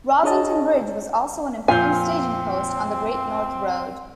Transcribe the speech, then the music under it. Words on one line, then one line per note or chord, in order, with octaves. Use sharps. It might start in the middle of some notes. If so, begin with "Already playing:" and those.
Rossington Bridge was also an important staging post on the Great North Road.
D4 G#4 C#5 D#5 A5
F2 A#2 C4 F5 G#5 G6